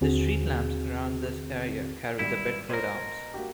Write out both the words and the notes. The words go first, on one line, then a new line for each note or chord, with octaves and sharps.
The street lamps around this area carry the Bedford Arms.
D#2 D3 C4 F#4 G#4
G#1 G3 E4
B2 A#4 C5 C#5 G#6
A#3 F#4 G4